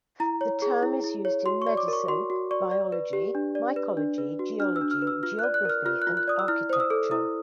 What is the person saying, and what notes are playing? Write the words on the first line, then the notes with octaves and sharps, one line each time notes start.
The term is used in medicine, biology, mycology, geology, geography and architecture.
E4 A#5
C#5
G#4
E4
E4
C#5
F#4 C6
C#6
D5
D6
A#4 C#6
F#4 C6
F#4
D5 C#6
D5
B4
G4
D4
D5
B4
D4
B4
F#4
D4 F6
E6
D4
F6
B4
E6
F4 F6
F#6
D5
F#6
A#4 F6
F4 F6
F#6
F4
F#6
D5 D#6
E6
E4 F6
C5 D#6
E6
A4
E4 D#6